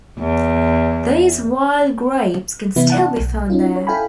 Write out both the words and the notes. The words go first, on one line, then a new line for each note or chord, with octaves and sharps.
These wild grapes can still be found there.
E2
C3 E3 B3 E4
D5 F#5 A5
B1
C#4 D#4 F4
C#5
E4 A4 F5 G5 G#5 B5